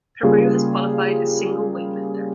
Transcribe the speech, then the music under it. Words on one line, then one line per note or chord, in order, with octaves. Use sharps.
Peru has qualified a single weightlifter.
C#3 G3 A#3 F4 G#4